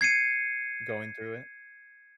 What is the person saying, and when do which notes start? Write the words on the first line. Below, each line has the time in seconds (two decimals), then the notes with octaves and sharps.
Going through it?
0.01 G#6 C7 C#7 D#7